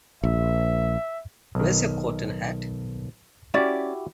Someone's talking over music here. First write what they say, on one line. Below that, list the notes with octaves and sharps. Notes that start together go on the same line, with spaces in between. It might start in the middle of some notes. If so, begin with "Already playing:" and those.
Where's your coat and hat?
A#1 E5
B1 D#3
C#4 E4 F#4 G4 D5